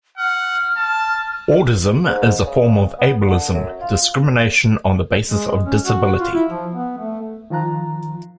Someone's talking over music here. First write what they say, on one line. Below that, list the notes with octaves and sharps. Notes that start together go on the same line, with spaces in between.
Audism is a form of ableism, discrimination on the basis of disability.
F#5 F6
A5
G#2
C#3
B3
D3
F#2
F4
G#3
C#4
F#4
F4
E4
F3
B3
A3
D#3 F3 F4 A#5 F#6